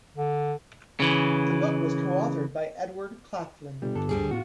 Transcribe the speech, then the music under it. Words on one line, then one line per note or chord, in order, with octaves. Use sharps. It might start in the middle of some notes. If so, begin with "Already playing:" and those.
The book was coauthored by Edward Claflin.
D3
C#3 E3
G1 B2 G3
G2 D3 A4
D2 G3 G#4
E2 A2 F4 F#4